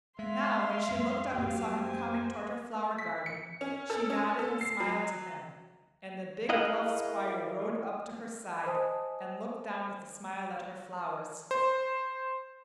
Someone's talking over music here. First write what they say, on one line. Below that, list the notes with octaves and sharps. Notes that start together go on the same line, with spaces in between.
Now, when she looked up and saw him coming toward her flower-garden, she nodded and smiled to him, and the big bluff Squire rode up to her side, and looked down with a smile at her flowers.
G#3 E5 F5 C6
F#2 G#3
F#2 F#3 A#3 G4 F5
C5 G#5
B6
C#7
C#4
A4
C#4
A4
C7
F#3
E4 G#4 A#4 D#5 F5 F#5
C5 D#5 G#5 A5 D#6
C5